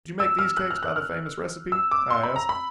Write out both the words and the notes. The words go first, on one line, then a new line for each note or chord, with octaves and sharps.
"Did you make these cakes by the famous recipe?" I asked.
E6
F6
F#6
F6
F#6
F6
E6
D6
C6
B5
A#5
B5